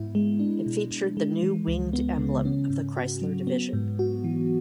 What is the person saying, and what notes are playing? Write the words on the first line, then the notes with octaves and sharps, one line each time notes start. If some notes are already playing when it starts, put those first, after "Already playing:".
It featured the new winged emblem of the Chrysler division.
Already playing: G#2 B3 E4
G#3
D4
B2
B2
G#3
E3
C#2
B3
C#3
C#4
G#2
F#4
F#3
B3
G#2
F#4
E3